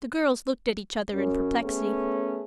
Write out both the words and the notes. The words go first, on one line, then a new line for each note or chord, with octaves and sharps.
The girls looked at each other in perplexity.
F#2 C#4
A3 B3 C#4 G#4